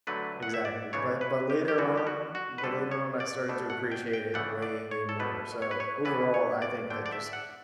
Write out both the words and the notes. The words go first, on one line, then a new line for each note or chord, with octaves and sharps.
Exactly, but but later on but later on, I started to appreciate it way more, so, overall, I think that just
D3 F#3 A3 D4 B4
F#5
E5
D5
C#3 E3 A3 D4 C#5
B4
G4
G4
E3 G3 B3 D4 F#4
G4
F#4
F#4
B4
D3 G3 D4 A4
C#5
D5
B2 A3 D4
F#5
G5
G5
C#3 E3 A3 D4 F#5
D5
C#5
A4
B2 A3 D4 B4
C#5
B4
C#5
E3 B3 D4 B4
C#5
D5
D3 A3 D4 G5
D5
E5
F#5